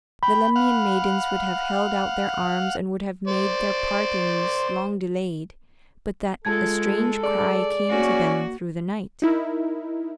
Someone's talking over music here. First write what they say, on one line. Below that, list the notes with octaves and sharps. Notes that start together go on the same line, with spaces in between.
The Lemnian maidens would have held out their arms and would have made their partings long delayed, but that a strange cry came to them through the night.
G5 B5
F5 F#5
C5 D5
G#3 F4 A4 A5 G#6
G#4 D5
A#3 C#4 F#4
D#4 E4 A#4